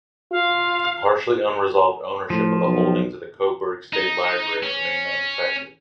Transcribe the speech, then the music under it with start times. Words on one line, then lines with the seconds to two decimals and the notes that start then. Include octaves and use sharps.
The partially unresolved ownership of the holdings of the Coburg State Library remained unaffected.
0.32 F4 F5
2.30 A2 F3
2.63 B1
3.93 D#4
4.63 C#4